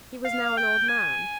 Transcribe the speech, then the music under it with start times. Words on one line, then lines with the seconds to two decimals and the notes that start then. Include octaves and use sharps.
He was now an old man.
0.25 F5
0.57 G5
0.88 G#5